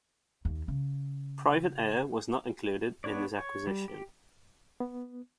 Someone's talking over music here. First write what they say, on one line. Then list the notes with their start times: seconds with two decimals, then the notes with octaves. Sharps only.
"Private Air" was not included in this acquisition.
0.45 D#2
0.68 C#3
3.04 B3 D4 C#5 D5
3.36 C#5
3.67 G3
3.88 G4
4.80 B3